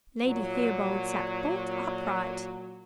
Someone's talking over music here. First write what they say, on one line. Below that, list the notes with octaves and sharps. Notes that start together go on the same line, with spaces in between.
Lady Theobald sat bolt upright.
A#2 F#3